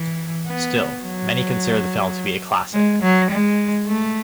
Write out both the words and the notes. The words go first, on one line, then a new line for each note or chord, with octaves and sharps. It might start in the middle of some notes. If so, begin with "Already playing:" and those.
Still, many consider the film to be a classic.
Already playing: E3
B3
F#3
G#3
F#3
G#3
A3